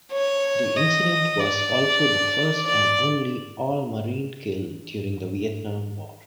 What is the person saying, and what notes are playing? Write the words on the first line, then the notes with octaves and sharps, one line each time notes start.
The incident was also the first and only all-Marine kill during the Vietnam War.
C#5
D#5
D5
D5